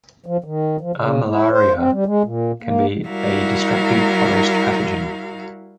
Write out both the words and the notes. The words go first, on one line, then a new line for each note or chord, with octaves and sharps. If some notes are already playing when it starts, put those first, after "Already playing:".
"Armillaria" can be a destructive forest pathogen.
F3
D#3
F3
C#3
E4
C5
C4
G3
G#3
A#2
A#3
G3 E4 F#4 A#4 F5